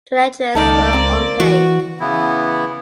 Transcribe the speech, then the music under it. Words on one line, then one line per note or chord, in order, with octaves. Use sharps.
The lectures were unpaid.
C#2 D#3 A#3 D#4 A4 D5
C4 A#4
E3 F#4
C#3 E3 B3 E4